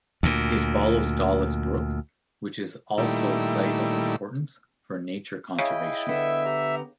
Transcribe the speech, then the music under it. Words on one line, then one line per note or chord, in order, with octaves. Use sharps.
It follows Dollis Brook, which is also Site of Importance for Nature Conservation.
D2 A#2
A#2 D#3 G3 A3 E4
C#3 E4 D#5 G5
D3 B3 E5
G4 A#5